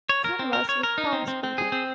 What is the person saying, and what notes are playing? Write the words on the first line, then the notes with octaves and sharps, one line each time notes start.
Converse with townspeople.
C#5
A#4
C4
A#4
C#5
A#4
D#4
C4
C4
C4
G#4
C4